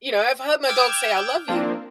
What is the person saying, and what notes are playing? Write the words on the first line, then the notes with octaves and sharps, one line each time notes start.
You know, I've heard my dog say I love you,
G5 D6 E6 F6 G#6
F3 A#3 C4 D4